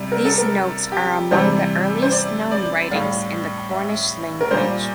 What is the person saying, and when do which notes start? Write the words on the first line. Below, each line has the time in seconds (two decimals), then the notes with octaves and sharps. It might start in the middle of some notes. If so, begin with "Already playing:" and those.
These notes are among the earliest known writings in the Cornish language.
Already playing: C3 G3
0.12 A#4
0.25 A4
0.38 A#4
0.92 G4
1.31 C3 E3 G3 C5
2.02 C5
2.12 D5
2.51 D5
2.91 A2 G3 F5
3.71 E5
4.41 A#4
4.51 A#2 G3 C5